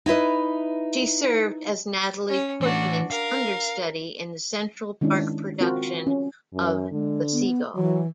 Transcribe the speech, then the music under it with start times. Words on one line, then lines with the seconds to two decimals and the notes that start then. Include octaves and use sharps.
She served as Natalie Portman's understudy in the Central Park production of "The Seagull".
0.06 D#4 E4 B4 D#5
2.28 C#4
2.61 E3 A3 D4 F#4
3.11 A#4 F5
5.01 D#3 G#3 C#4 D4 E4
5.61 C4 F4 F#4 A#4
6.07 C#4
6.54 F#2
6.92 D3 G#3
7.32 B3
7.75 E3 F#3